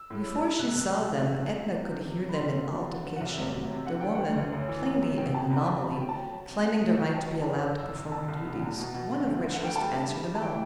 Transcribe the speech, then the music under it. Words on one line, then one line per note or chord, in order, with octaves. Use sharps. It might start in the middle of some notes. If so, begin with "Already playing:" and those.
Before she saw them Edna could hear them in altercation, the woman--plainly an anomaly--claiming the right to be allowed to perform her duties, one of which was to answer the bell.
Already playing: E6
A2
G3
G3
C2 F#6
E6
C2 F#6
B2
B2
C3
E2
E2
G3
C3 G6
C3
C3
B5
C6
C2
D3
F#3
D3
F#3
F#5
C2 E5
C3
F#3
C3
D3 F#5
D2 G5
D2 F#5
D2
F#2
E3
F#2
F#2
B2 G5
B2 A5
E2 B5
B5
B2 A5
A2 B5
A5
F#3 G5
A5
F#3
F#3
C3
F#3 F#5
C2 E5
C2 F#5
F#3 A5
F#3 G5
A5
F#2
F#2
C2 E6
C2
C2 A5
C2
B2
E2
B2
B2
D3
D2
D3 E5
F#5
D2
G5
G3 A5
G2
G3
G3
A5
E3 G5